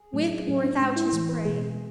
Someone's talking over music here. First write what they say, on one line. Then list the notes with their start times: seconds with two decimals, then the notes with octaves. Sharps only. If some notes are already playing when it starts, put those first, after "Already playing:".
With or without his prey!
Already playing: G#4
0.14 A2 F#3 A3
0.47 A2 F#3 A3 C#4
0.63 D4
0.79 A2 G#3
0.96 E4
1.12 A2 E3 A3
1.29 B4
1.45 B2 G#3 G#4